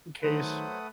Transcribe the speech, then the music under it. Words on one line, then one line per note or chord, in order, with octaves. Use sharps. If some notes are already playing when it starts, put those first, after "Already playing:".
in case.
D#3 F#3 A3 B4 C5 F#5 D#6